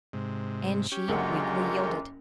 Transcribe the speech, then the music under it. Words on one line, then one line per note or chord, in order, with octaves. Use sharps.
And she weakly yielded.
G#2 C3
C#4 G4
F#1 F#2 D3 G#3 A#3 F4 F#5